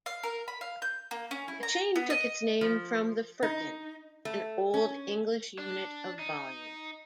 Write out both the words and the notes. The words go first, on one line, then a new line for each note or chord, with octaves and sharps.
The chain took its name from the firkin, an old English unit of volume.
F5
A#4
B5
F5
G6
A#3
C#4
E4
A#5
B3
D#5
F3
D#4
A3
C#4
D4
D#4